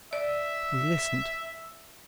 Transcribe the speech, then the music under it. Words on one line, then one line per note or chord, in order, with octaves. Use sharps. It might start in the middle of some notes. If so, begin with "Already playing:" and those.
We listened.
D5 E5